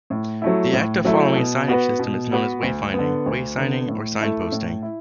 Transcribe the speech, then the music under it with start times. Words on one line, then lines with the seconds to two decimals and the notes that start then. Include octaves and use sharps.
The act of following a signage system is known as wayfinding, waysigning or signposting.
0.10 A2
0.42 F#3 A3 E4
0.73 A2
1.05 F#3 A3 E4
1.36 B2
1.68 B3 F#4 B4
1.99 B2
2.32 B3 F#4 B4
2.62 D2
2.93 B3
2.99 D3
3.26 D2
3.57 D3 B3
3.88 A2
4.21 A3 E4
4.52 A2
4.82 E4